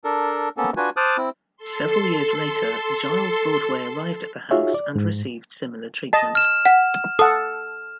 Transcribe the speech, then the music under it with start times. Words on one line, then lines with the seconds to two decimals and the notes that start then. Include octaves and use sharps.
Several years later, Giles Broadway arrived at the house and received similar treatment.
0.04 D4 A4 A#4
0.57 A#3 B3 C#4 A4
0.77 D4 F4 F#4 B4 G#5
0.97 C5 A5 D6 D#6 F6 F#6
1.17 C4 E4
1.57 A4 C6
4.51 D#4 F4 F#4 G#4 C#5 E5
4.74 D5
4.96 G#2
6.13 D#5 A5
6.35 F6 E7
6.66 F#5
7.19 A4 F#5 D#6